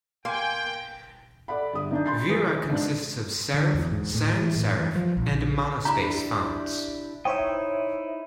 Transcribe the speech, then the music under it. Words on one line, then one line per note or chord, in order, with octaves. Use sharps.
Vera consists of serif, sans-serif, and monospace fonts.
A#3 G5 G#5 C6
A4 D5 F#5 B5
G1 D#6
D#3 D4 G6
B5 C6 G6 A6 C7
E3 G#4 D#6
G#2 D4
D3
E2
G#2
A2
E3
A2
E3
F3
A#1
D4 E4 G4 A#5 B5
D#4 E4 C5 C#5 D#5 E5 G5